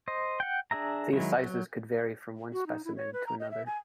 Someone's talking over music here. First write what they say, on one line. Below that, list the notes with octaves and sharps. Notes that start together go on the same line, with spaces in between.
These sizes could vary from one specimen to another.
C5 D#5
F#5 G5
D4 G#4 E5 A#5
D#3 F#3 G#3 E4
F#3
F#4
D#4
E4
C#5
B4
A#5
D#5
E5
G#5